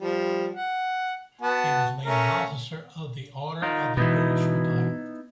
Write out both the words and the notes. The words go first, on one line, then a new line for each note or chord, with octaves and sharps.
He was made an Officer of the Order of the British Empire.
F3 G3
F#5
B3 F#4 A5
A3 C#4 A#4
D#4 F4 A#4
B2 E3 B3 D#4 E4